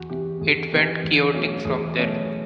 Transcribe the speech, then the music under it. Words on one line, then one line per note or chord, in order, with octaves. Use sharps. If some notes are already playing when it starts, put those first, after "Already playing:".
It went chaotic from there.
Already playing: E2 F#4
C3 E3 G4
E2 G#4
C3 E3
E2
B2 F#3 A3 C#4
E2 G#4
B2 F#3 A3 C#4